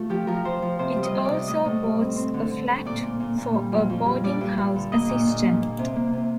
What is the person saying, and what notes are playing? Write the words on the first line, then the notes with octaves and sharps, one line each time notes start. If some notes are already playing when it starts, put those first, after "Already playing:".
It also boasts a flat for a boarding house assistant.
Already playing: C3 A3 F4
F3 G4
F3 A#4
F3 C5
F3
C3 C5
G3
D#5
C3
D5
C3
A2 D#5
A2
G3
C4
C4
D3
D3
A3
A#2 D5
A#2
A#2
A#2
G3
F2
F2
G3
G3 D5
G2
G2
D3
A#3 D#5
A#2
A#2
A#2
A#3
C3
A#3
C3